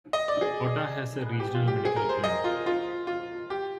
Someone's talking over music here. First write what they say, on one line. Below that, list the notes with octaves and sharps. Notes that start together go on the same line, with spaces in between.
Otta has a regional medical clinic.
D#5
D5
G#4
G4
F4
G4
G#4
A#4
C5
D#5
F4
F4
F4
G4